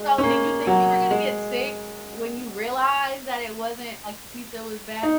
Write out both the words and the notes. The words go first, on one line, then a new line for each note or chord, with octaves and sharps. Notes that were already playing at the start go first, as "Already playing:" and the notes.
So, did you think you were gonna get sick when you realized that it wasn't like, the pizza was bad?
Already playing: G#3
C#4
A#3
F#3
G#3
D#4